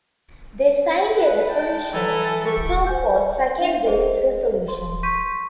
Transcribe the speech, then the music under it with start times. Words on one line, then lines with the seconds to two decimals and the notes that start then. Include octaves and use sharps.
They signed a Resolution, the so-called "Second Venice Resolution".
1.15 B4
1.48 G#3 G5 A5
1.93 E3 A4 B4 G#5 A#5
2.46 G4 G5 C#6
2.87 C5 G#5 G6
3.39 F#5
3.60 D4 E5 F5 G5 F7
3.85 G#4 C5 D5 D#5
4.68 C6
5.03 C6 C#6 G6 B6 D#7